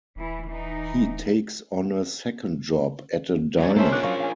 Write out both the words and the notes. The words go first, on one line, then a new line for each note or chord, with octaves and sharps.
He takes on a second job at a diner.
D#1 E3 E4
E3 D#4
G2 F#3 C#4 D5
A#3 C#4 A4 C5 E5 A5
D4 F4 A#4 D6 F#6
F#3 F5 C#6
F5 G#5